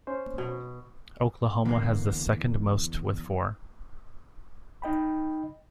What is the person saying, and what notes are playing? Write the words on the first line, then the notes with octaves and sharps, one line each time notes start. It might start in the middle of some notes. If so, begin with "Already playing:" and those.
Oklahoma has the second most with four.
C#4 C5
B2
E2 D3 A#3
D#4 D#5 G5 B5